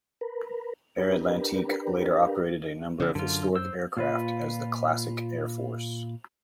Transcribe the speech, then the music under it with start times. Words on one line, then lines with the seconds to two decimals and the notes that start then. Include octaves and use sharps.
Air Atlantique later operated a number of historic aircraft as the Classic Air Force.
0.21 A#4 B4
0.98 D4 G4 A#4 B4
3.00 C#3 E3
3.15 F#2 D3 F4
3.56 C5 E6
3.97 A#2 F4 B4